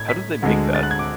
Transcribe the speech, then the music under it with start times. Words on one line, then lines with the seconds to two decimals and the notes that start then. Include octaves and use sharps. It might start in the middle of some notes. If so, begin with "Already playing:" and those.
How did they make that?
Already playing: A2 G#6
0.09 B6
0.42 D2 D3 G#3
0.75 A6
0.83 F#6
0.91 G#6
0.99 D6